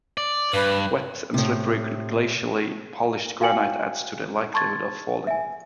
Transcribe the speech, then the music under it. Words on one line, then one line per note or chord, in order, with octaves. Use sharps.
Wet and slippery glacially polished granite adds to the likelihood of falling.
D5
G2 B4
A2 C3
F#4 F5 G5 G#5 C#7 F#7
A5 C6 C#6 G#6 A6
E5 G#5